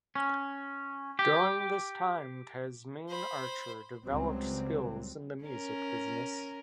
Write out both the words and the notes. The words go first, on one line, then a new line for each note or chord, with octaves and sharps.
During this time, Tasmin Archer developed skills in the music business.
C#4
G4
C5 B5
C#2 F#3 G3 C4
C#4 A#4